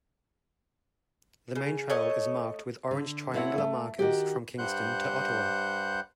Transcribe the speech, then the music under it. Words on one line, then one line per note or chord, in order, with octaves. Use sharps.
The main trail is marked with orange triangular markers from Kingston to Ottawa.
C#3
A3 C#5 D#5
D3
A3 C4 E4 C#5 F5 F#5
A3
D#3 F#4 G4
G2 G3 C5 F#5 F#6 G6